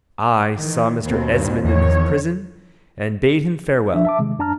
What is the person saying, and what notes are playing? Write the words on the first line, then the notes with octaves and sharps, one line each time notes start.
I saw Mr. Esmond in his prison, and bade him farewell.
D#3 E3
D#2 B2 C4
G2
E2 D#3 F3 C#5
F3 D4 E5
E5 A5 D6
C3 D#3 G#3
F#2 D4 A5 A#5 F6